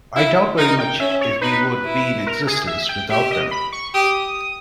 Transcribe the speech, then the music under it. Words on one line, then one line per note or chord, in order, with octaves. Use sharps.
I doubt very much if we would be in existence without them.
E4
D#4 A#4
G5
C#4 E5
C#5
D#4 B4
E4
A#4
G#4
E5
G5
G4 E5
D#5
B5
C#6
G4 D#6